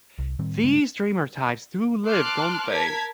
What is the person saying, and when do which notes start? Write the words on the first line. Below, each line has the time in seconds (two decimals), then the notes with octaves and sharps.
These dreamer types do live, don't they?
0.19 C2
0.39 A2 D#3 G3 C4
0.64 G2 C#3 G#3
2.08 A5 C6 D6 F6 F#6
2.72 A#4 A5 G#6 B6